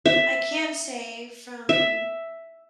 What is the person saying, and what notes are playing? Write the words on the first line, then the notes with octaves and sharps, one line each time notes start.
I can say from
E5
E5